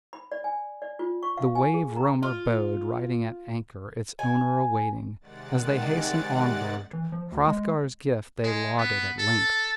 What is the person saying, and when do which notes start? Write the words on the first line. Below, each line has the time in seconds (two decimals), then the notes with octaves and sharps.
The wave-roamer bode riding at anchor, its owner awaiting. As they hastened onward, Hrothgar's gift they lauded at length.
0.13 B5
0.32 D5
0.44 G#5
0.82 D5
0.99 F4
1.23 C#6
1.37 F5
1.55 G#5
1.74 G#4
1.96 A#5
2.23 F4
4.19 G#5
5.21 C3 D#3 G#3 D5 F#5 A6
6.93 E3
7.12 F3
7.32 D2
7.47 G#3
8.44 G#3
8.77 B3
9.18 A4